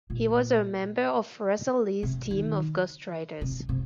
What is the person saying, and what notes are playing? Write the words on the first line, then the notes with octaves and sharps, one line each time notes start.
He was a member of Russell Lee's team of ghost writers.
A#2
C3
D#3
C3
C3